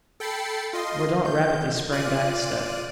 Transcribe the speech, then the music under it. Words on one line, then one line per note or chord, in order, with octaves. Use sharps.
Mordaunt rapidly sprang back a step.
A4 G5 B5 A6 C7 C#7
F4 D#5 C6
G6
F4 D5 F#6 D#7